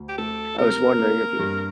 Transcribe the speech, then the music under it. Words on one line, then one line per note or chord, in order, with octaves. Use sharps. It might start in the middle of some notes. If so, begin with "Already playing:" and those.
I was wondering if you
Already playing: D2
G4
A3 A4
C3 A#4
A#3
G2